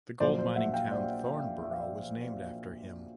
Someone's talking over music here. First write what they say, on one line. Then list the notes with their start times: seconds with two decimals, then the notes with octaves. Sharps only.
The gold mining town Thornborough was named after him.
0.20 A#1 A#2 F#3 C5 D5
0.38 C5 D5
0.56 E5 F#5
0.73 F5 G5
0.91 C5 D5
1.62 E5
1.71 F5
1.80 D5 E5